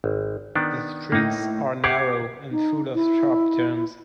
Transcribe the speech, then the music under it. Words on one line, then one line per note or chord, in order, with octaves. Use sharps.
The streets are narrow and full of sharp turns.
G#1
D#3 B3 D4
A2 A#3 D#4
G4 F#5 D6 G#6 C7
D#4
E4